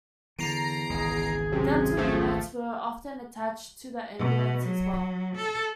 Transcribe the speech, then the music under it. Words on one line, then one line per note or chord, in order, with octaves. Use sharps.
Dental units were often attached to the ambulance as well.
E2 D3 D#3 A#5 C7 D7
G#1 C#2 G#4
F#2 C3
F#2 F3 A3
B2
F#3
A4